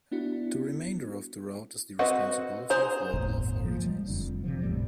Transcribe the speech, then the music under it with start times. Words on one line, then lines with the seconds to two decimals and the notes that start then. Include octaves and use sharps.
The remainder of the route is the responsibility of local authorities.
0.12 B3 D4 E4 F#4
1.99 C4 F#4 B4 D#5 F#5
2.70 G#4 C5 A#5
3.13 G1 E2 A2 C3
3.65 F3 A#3
3.84 G3 G#3
4.08 F1 F2 D3
4.44 C3 D#3 F3
4.62 G1 E2 A2 G3